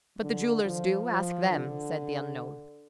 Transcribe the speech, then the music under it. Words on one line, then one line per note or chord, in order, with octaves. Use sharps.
"But the jewelers do: ask them," said the unknown.
D3
F3
F3
D3